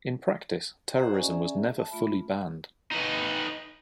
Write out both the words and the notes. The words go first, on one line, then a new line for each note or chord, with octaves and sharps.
In practice, terrorism was never fully banned.
F#4 C5 D#5 E5 F#5 A#5
C#4 G#4 D5 E5 G#5 A#5
E5 A5
A3 F4 B5
D#4 B4